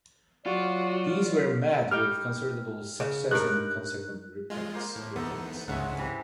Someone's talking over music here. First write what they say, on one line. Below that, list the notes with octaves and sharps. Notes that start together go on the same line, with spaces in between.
These were met with considerable success and consequent reprints.
F#3 F4 F#4 D5
G3 D#4 G5 F6
C#3
G2 D#4 A#4 F#6
G#3 F4
A#3 C5
A2
E2 B3 D#4 A4
C#2 G#2 C#3 G#3 E5 F#5
C3 E3